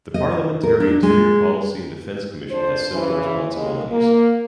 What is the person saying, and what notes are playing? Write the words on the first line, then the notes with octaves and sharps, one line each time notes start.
The Parliamentary Interior Policy and Defence Commission has similar responsibilities.
D#5
A#4
D4
G#3
F2 D4 C5
E2 C#3 E3
D#2 C#3 G#3
A#3